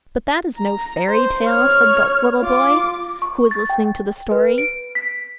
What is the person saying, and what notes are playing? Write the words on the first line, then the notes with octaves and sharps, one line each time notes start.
"But that is no fairy tale," said the little boy, who was listening to the story.
A#5
C5
C#5 F6
F4 D6
C#6
A6
G5
B4
D7
B6